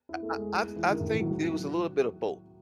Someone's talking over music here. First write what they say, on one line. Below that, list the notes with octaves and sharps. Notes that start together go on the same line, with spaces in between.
I I I th I think it was a little bit of both,
E4
A3
G#3
G#3
E3
D#3
A2
E3
F#3
F#3